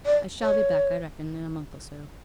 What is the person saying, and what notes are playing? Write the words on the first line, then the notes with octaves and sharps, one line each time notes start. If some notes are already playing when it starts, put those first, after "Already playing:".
I shall be back, I reckon, in a month or so.'
D5
C#5